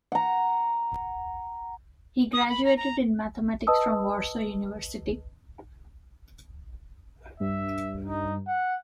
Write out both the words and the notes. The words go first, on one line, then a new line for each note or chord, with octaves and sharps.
He graduated in mathematics from Warsaw University.
F#5 A#5
D#6
B5
A#5
A#5
B4 D#5 A5 D#6 E6
G2 E5
D#4
F#5